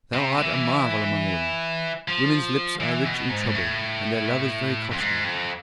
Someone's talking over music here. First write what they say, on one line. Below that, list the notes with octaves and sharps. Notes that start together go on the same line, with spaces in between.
Thou art a marvel among women; women's lips are rich in trouble and their love is very costly.
C3
E3
F3
E3
B2
G#2
A2
F2
G#2
F2